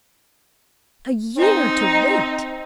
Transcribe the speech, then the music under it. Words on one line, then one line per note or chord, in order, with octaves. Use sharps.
A year to wait!
C4 D#4